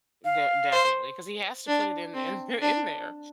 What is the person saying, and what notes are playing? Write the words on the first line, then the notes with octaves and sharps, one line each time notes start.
De definitely 'cause he has to put it in in in there.
F5
C5
D4
C4
D4